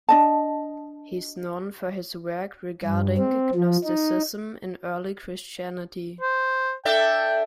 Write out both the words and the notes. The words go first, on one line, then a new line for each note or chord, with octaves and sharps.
He is known for his work regarding Gnosticism in early Christianity.
D4 D#5 A5
G2
C4
F3
D#4
C5
D4 A4 E5 G5